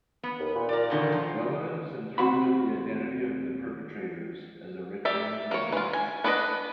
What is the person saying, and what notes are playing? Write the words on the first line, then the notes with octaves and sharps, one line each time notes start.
Relatives interpreted the identity of the perpetrators as Eritrean soldiers.
B3
D#2
A#2
A#4 D5
B2 D3 D#3
F3
D#2 C4 F#4 F#5 B5
G4 D5 E5
A#3 C#5
E3 F4
G#5
B3 D4 B4 D5 D#5